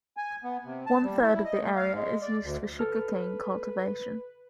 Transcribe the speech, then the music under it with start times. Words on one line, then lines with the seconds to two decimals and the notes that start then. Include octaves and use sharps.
One third of the area is used for sugar cane cultivation.
0.17 G#5
0.44 B3
0.65 C3
0.86 A5
1.04 G3
1.22 E4
1.45 D#5
1.61 A3
1.76 F5
1.94 G#3
2.22 D5
2.43 D2
2.79 A4 B4 F6